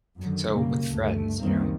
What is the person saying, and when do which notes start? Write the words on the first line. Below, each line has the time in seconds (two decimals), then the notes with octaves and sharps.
so with friends, you know,
0.19 F#2 D3 D#3 F#3
0.53 B1 F#2 A#2 C#3 G3 A#3
0.85 D2 G2 A3
1.40 C#2 F#2 D#3 G3 A#3 C4